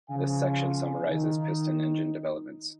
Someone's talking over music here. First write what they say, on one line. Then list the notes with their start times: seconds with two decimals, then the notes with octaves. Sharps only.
This section summarizes piston engine developments.
0.10 C#3 F3 F5 G#5
1.09 D#3 D#4